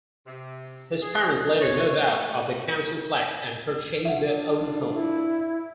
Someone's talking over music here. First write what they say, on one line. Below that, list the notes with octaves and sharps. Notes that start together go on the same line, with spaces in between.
His parents later moved out of their council flat and purchased their own home.
C3
G#4
C#5
A3
G3 D4 F4 E5 F#5
E4